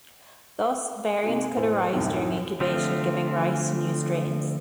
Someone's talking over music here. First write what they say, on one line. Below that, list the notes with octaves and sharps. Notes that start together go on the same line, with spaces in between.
Thus, variants could arise during incubation, giving rise to new strains.
C3 G#3 D#4 F#4
E2 A2 C5
C2 F#2 A2 C3 D#3
D3 F3 A3 C4 F4